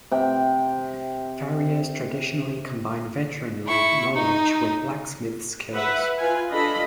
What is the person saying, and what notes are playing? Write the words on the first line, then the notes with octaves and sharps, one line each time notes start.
Farriers traditionally combined veterinary knowledge with blacksmiths' skills.
C3 G5
E4 C#6
D#4
B4 E5 F#5
F4 B4 G#5
D4 F4 A4 D#5 B5